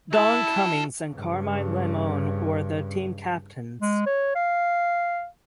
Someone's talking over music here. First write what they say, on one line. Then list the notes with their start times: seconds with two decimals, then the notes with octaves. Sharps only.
Don Cummings and Carmine Limone were the team captains.
0.13 E4 F#4 A5
1.11 G2 C#3
3.82 G#3
4.06 C#5
4.35 F5